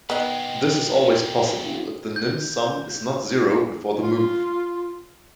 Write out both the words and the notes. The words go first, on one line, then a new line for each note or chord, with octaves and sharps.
This is always possible if the nim-sum is not zero before the move.
B2 D#3 G#3 B3 D#5 G5
G6
F4